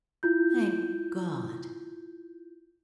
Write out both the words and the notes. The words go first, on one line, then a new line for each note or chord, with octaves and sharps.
"Thank God!"
E4 F4 G6